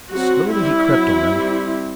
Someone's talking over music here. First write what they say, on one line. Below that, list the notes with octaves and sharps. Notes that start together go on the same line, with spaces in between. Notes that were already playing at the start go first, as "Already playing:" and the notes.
Slowly he crept on them.
F#3 C4 F#4
G3 C4 E4
F#3 C4
G3 C4